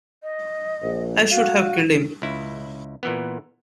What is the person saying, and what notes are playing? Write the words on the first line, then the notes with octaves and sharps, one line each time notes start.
I should have killed him!
D#5
A#1
F#4 F5
C#2 E4
A#2 E3 B3